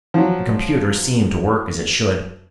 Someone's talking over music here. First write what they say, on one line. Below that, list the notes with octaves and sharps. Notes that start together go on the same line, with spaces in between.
The computer seemed to work as it should.
F3 F#3